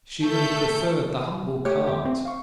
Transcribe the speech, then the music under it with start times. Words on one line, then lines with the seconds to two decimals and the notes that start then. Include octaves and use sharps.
She would have preferred the humble cart.
0.23 A3 A4 G6
1.65 A3 G4 C#5
1.87 G4 E5
2.05 C4
2.25 F5 C#6